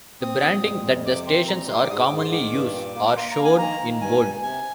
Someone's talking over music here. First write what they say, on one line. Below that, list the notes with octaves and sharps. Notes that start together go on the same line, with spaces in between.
The branding that the stations are commonly use are shown in bold.
C4 D#6
A#2
F2
F2
C3 D6
C4 C6
A#2 A#5
G3 C6
D6
G#2 D#6
D6
G#2
C6
D#3 D6
G2
A#2 D6
A#3
D6
A#3 C6
A#5
A#3
G#5
D#3 A#5
D#3
G2 G#5
G2
C3 G#5